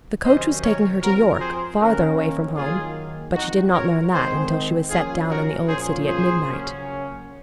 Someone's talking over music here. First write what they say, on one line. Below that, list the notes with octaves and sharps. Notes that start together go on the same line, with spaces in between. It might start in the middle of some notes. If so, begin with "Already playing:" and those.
The coach was taking her to York, farther away from home; but she did not learn that until she was set down in the old city at midnight.
C3 D#3 F#3 C#4 C5 D#5
A#4 C#5
F3 C4 F#4 A#4
G#4 C5
D#3 A#3 C#4 F#4 A#4
D#3 F#3 A#3 F4 G#4
F3 C4 D#4 F#4
A#4 C#5
D#3 G#3 C4 G#4 C5
F3 A#3 C#4 F4 G#4
F#4 A#4
A#2 F3 A#3 C#4 G#4 C5
G#4 C5
C#3 F#3 A#3 C#4